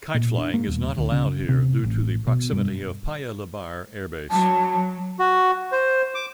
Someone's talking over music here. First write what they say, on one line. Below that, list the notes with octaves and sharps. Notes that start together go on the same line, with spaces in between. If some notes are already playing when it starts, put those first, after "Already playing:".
Kite flying is not allowed here due to the proximity of Paya Lebar Airbase.
A#2
D4
A#3
D#1
D2
C#3
C3
A1
B2
G2
F#3 A5
F#4
C5
D6